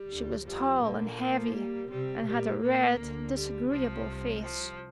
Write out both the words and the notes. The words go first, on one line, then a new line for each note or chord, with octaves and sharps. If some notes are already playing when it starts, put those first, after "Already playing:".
She was tall and heavy and had a red, disagreeable face.
Already playing: G3
D2 D3
F2 F3 G3
A#2 D3 A#3
F3
G3
C3 G3 C4
A#2 G3 A#3
A#2 A#3
D2 D3
G3
C2 C3 F3
F3